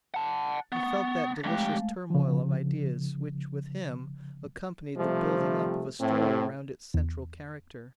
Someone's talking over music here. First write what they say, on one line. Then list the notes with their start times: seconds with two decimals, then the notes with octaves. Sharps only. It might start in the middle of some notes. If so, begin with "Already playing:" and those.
He felt that delicious turmoil of ideas which with him accompanied the building up of a story round its central character.
0.14 F#5 A5
0.72 B3 C#6
1.44 F2 G#3 A3 G4 F5
2.10 C#3 F3
4.97 C3 F3 G3 A3
6.00 A2 C4
6.94 E2